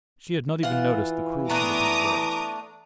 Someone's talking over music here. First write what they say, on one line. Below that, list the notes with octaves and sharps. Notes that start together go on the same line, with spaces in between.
She had not even noticed the cruelty of his words.
E3 F4 F#5
A3 B3 D4 A#5 D6 D#6